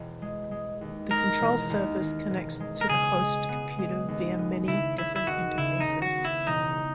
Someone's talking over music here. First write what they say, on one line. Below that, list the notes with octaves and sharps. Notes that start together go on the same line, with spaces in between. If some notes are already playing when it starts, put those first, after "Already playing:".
The control surface connects to the host computer via many different interfaces.
Already playing: E1
G#3
G#3
D#2
G#3 A#4
E1
D#2
D#2
E1
G#3
A#4
C#3 G#4
G#3
B3
G#3
D#2
B3
C#3 E4
C#3 E4
E4
D#2 F#4
C#3 E4
D#4
C#3
F#4
B3
E4
E1 D#4